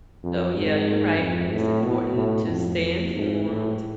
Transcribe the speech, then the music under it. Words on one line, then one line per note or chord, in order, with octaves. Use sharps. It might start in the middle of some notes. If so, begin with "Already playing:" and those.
so yeah, you're right, it's important to stay informed
F2
G#2
F2
A2
B2
A2
F2
G#2
A2